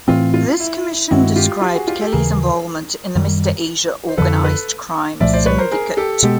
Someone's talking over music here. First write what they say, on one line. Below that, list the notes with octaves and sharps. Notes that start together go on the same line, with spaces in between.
This commission described Kelly's involvement in the Mr Asia organised crime syndicate.
A2 E3 A3 C4 F4
F4
E4
G2 D#3 G#3 C4 E4 F#4
F4 G4
F4 G4
F#4 G#4
F4 G4
G4 A4
D#2 C#3 E3 G#4 A#4
F#2 D#3 G3
C5
F2 D3 F3 A4 B4
A4 B4
C2 A#2 F3 A3 D5 E5
C5 D5
B4 C#5
A#4 C5
G#4 A#4
G4 A4
B2 G#3 B3 G4 A4